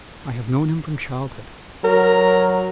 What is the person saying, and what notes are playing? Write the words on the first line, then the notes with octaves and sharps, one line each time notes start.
I have known him from childhood.
F#3 A#4